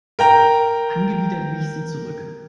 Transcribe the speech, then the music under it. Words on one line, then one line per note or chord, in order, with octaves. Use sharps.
Angewidert wich sie zurück.
A#4 G5 A#5